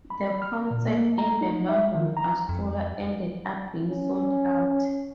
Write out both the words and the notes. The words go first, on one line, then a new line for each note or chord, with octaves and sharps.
The concert in the London Astoria ended up being sold out.
B5
F6
A#2
A#3
A#5
D#4
E5
D#3
A#5
F2
C#4